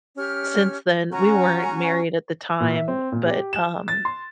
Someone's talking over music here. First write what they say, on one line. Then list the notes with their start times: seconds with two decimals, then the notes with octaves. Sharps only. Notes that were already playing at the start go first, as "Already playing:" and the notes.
since then we weren't married at the time, but, um,
0.16 C#4 G4 F6
1.12 C#4 F#4 G#5 A#5 C#6
2.60 A#2
2.75 E5
2.88 C4
3.12 A#2
3.26 G4
3.53 E7
3.88 A6
4.05 C6